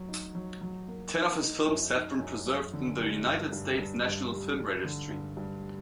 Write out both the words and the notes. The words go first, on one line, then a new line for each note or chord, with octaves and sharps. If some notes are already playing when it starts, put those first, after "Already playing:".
Ten of his films have been preserved in the United States National Film Registry.
Already playing: F#3
D#4
F#3
F#3
A#3
D#4
D#4
F#2
D#4
F#2
F#2
D3
G3
G2
G2
G2
G2
G3
G3
D3
G2
G2